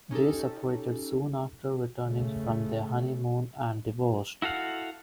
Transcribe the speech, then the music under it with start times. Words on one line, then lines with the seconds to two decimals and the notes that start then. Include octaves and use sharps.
They separated soon after returning from their honeymoon and divorced.
0.11 C#4 D#4 G4 A4
2.05 C#3 A3
4.42 E4 F#4 A4 F5 F#5